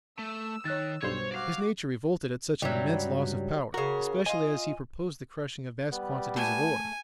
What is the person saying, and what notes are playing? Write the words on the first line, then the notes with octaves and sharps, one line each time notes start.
His nature revolted at such an immense loss of power, especially as he proposed the crushing of vast quantities of ore.
A3 E6
D#3 C#5 F#6 A6
B1 G2 C5 C#5 G#6
F#4 D5 F5 D6
C#2 G2 F#3 G3 E5
C#3 F#4 A#4
F4 D#5 G#5
G3 B3
A3 G#5 A5